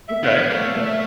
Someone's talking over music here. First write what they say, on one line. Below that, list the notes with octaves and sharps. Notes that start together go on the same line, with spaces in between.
Okay. Yeah.
E5
B3 F5
G3 F5
A3
E5